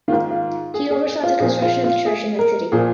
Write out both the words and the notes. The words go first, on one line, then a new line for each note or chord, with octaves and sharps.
He oversaw the construction of the Church in that city.
G#2 D#3 F4
F4
G#4
G#4
G#4
F4
A#2 F3 G#4
F4
F4
G#4
A#4
A#2 F3 G#4